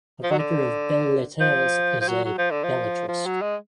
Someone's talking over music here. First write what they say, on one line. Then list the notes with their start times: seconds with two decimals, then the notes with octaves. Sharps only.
A writer of "belles-lettres" is a belletrist.
0.23 F3
0.31 F#3
0.39 D3
1.40 F3
2.01 F3
2.08 F#3
2.25 F#3
2.38 F3
2.51 D3
2.64 F3
3.08 F3
3.26 F#3
3.42 G#3